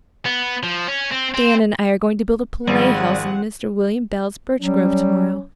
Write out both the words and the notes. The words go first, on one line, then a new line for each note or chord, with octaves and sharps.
Diana and I are going to build a playhouse in Mr. William Bell's birch grove tomorrow.
B3
F3
C#4
C4
C4
G#1 F3 G3 C4 G#4 F#5
F#3 G3 C#4